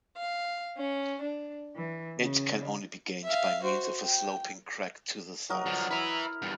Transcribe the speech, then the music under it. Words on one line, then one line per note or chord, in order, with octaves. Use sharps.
It can only be gained by means of a sloping crack to the south.
F5
C#4
D4
E3
C#3
E5 F5
F#4 C5
G5
F#3 A#4 D#5
D3 F3
E4 B4 E5
E2 G2